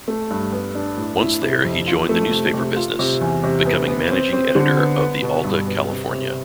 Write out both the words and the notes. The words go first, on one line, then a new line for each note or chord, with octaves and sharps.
Once there he joined the newspaper business, becoming managing editor of the "Alta California".
A3
G2
B3
D4
A2
E4
C3
F2
F4
A3
C3
C3
F4
C3
E2
C3
B3
B3
C4
C4
D3
B3
B3
B2
G2
B3
C3
C3